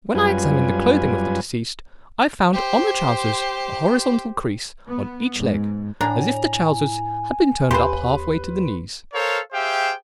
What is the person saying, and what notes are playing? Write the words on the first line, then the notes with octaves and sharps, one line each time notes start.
When I examined the clothing of the deceased, I found on the trousers a horizontal crease on each leg as if the trousers had been turned up half-way to the knees.
F#2 G3 F4 B4 G#5
G4 C5
B3
G#2
A2 D4 G#5 A#5
D#2 G4 B4 C5 B5 C6
A4 A#4 C5 C#5 F5
G4 G#4 C5 E5 F5 G5